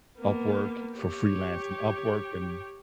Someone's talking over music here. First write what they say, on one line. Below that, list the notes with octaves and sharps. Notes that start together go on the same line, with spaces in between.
Upwork for freelancing Upwork and
A#3 B3
G4 C#5